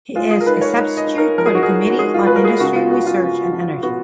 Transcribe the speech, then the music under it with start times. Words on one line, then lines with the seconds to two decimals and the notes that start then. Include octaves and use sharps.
He is a substitute for the Committee on Industry, Research and Energy.
0.15 G#3 F4
0.31 G#4
0.41 A#4
0.46 D#4 B4
0.61 C#5
0.77 D#4
0.97 D#5
1.07 D#4
1.18 A#4
1.38 F3 A#4
1.46 G#4
1.55 F#4
1.63 G#4
1.68 D#4
1.90 F#4
1.99 G#3 G#4
2.14 F4
2.27 G#3 B4
2.36 A#4
2.45 G#4
2.60 C#3 F#4
2.76 F4
2.91 B3 F#4
3.07 F4
3.22 C#3
3.53 F3
3.83 B3 F#4